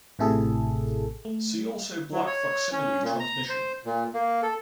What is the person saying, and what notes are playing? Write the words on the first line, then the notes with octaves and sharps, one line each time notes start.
See also Black facsimile transmission.
A1 A2 C3 E4 G#4 A4
A3
F#3
C#5
C#4
A#2
A#5
C5
A#2
A#3
A4